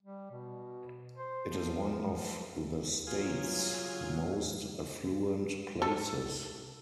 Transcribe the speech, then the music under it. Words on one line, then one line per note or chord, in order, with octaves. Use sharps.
It is one of the state's most affluent places.
G3
B2
C5
F3
F#3 F4 G#4
A4